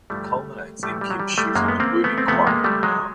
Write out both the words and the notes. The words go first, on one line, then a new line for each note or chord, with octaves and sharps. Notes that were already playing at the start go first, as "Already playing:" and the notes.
It culminates in Kim shooting and wounding Kwak in the arm.
G2 D3 F3 G3 A3
A2 E3 G3 A3
G3
F#3
G3
G3 A3
F#2 D#3 F#3 G#3 A#3
B3
A#3 C4
A3 B3
C4
F2 C3 F3 A3 B3
G#3 A#3
G3 A3
F#3 G#3